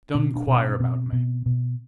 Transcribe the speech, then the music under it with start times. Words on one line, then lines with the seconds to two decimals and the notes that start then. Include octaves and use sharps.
Don't inquire about me.
0.14 B2 C#4
0.36 D4
0.47 B2
0.57 C#4
0.69 C#4
0.80 B2 C4
1.12 B2
1.46 B2